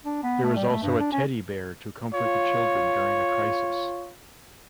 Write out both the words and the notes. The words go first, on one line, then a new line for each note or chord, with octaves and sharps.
There is also a teddy bear to comfort the children during a crisis.
D4
B3
A3
G3
A3
G2
D4
C#4
F4 C#5